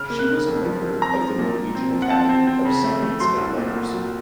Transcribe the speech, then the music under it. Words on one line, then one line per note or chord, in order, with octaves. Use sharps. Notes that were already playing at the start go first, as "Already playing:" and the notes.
She was a member of the Norwegian Academy of Science and Letters.
Already playing: C#3 F6
A#3
F#6
C#3
F2
F3
F3
C4 A#5
F3
A#2
A#2
C4
F3
F#5
C4 A5
C4
C4
C#3
A3
A3
F#3 C6
C2
A#2
A#2
F#3